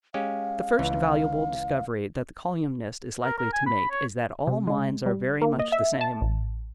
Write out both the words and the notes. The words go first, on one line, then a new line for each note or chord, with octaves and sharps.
The first valuable discovery that the colyumist is likely to make is that all minds are very much the same.
G#3 C#4 G4 F5
C#2 E3
A#4
A#4
G#5
B5
C#5
C3
G#3
G3
A#3
D#5
E5
A5
A1